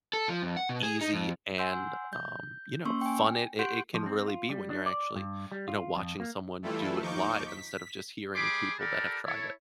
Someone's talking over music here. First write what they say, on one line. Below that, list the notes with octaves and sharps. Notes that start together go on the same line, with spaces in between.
easy and, um, you know, fun it it it can really be when you're actually, you know, watching someone do it live instead of just hearing people that have tried it.
A4
F3
F2
F#5
B2
G#4
D#4
F2
F#5 G#5 C6 E6 G6
G6
A#3 C#4 C6 C#6 E6
G5 G#5
G4 F#5 C6 G6 D7
F3
C4
F4
G3
D4
D5
G2
G3
F4
F2
A#3
E3 G3 A3 E4 F4 A4
D#2 F3 D#4 C#6 D6 G6
B6
G3 G#4 B5 C6 D6
G4 A4 A#4 D5 A5 B5
E4 A4 C#5